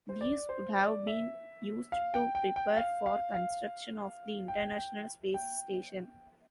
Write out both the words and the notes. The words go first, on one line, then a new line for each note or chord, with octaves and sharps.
These would have been used to prepare for construction of the International Space Station.
C5
D5
C5
D5
E5
F5
G5
G5
G5
F5
F5
F5
G5
G5
G5